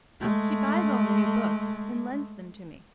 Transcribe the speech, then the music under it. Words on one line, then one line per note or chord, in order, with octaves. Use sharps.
She buys all the new books and lends them to me.
G#3 A3